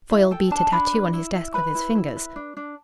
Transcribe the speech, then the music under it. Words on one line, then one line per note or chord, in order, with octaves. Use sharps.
Foyle beat a tattoo on his desk with his fingers.
E4 E5
A4 G5
D4 A5
D4 B5
B4
E4
E4
B4 B5
E4
E4
B4
D4
D4